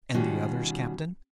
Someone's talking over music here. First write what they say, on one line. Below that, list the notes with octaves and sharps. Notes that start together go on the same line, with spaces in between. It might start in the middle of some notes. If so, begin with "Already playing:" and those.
"And the others, captain?"
B2 D#3 G3 C#4 F4 F#4